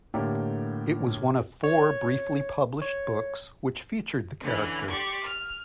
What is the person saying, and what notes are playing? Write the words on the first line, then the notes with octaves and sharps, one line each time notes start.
It was one of four briefly published books which featured the character.
A2 D3 A#3 G4 D5 E5
C#5
C#5
D3 E3 C#4
G4 D5 C6 C#6
F6